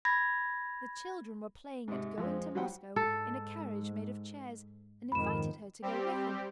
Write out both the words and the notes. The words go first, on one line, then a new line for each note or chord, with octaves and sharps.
The children were playing at "going to Moscow" in a carriage made of chairs and invited her to go with them.
B5 G#6 A#6
G#2 C3
F2 G#3 C4
F#3 G3 C5 F#5 G5
G#2 A4
F2 G#2 D#3 B5 E7
G3 C4 G4